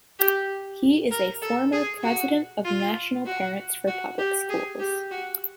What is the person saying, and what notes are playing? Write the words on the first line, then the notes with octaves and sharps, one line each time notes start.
He is a former President of National Parents for Public Schools.
G4
A#4
A4
G#4
F#4
F4
F#4
F#4
G4
G#4
G4
F#4